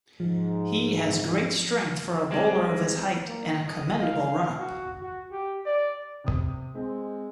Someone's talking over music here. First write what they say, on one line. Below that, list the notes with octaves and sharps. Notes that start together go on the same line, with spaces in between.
He has great strength for a bowler of his height and a commendable run-up.
G#2 F3
G3 G#3 C4
A#3
D#5
F5
F#4
F#4
G4
D5
C3 D#6
G#3 C4